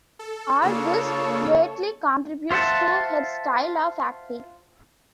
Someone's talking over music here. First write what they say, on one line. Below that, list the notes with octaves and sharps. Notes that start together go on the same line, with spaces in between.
All this greatly contributes to her style of acting.
A4
C#3 A#3 D4 F4 A4 C#5 E6
F4 C5 E5 F#5 A5